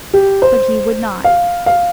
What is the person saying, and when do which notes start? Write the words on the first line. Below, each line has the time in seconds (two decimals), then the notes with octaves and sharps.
But he would not.
0.14 G4
0.42 C5
1.24 F5
1.66 F5